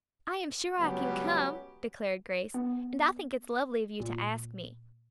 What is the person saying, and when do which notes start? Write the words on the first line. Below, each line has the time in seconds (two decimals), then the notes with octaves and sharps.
"I am sure I can come," declared Grace, "and I think it's lovely of you to ask me."
0.78 C#2 F#3 G3 B3 C#4 G4
2.54 B3
4.00 A#2